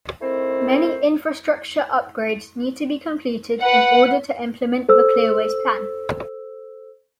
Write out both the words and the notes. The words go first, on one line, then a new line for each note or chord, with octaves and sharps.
Many infrastructure upgrades need to be completed in order to implement the Clearways plan.
D#3 A3 C4 E4 C5
B4 F#5
A4 C5 E6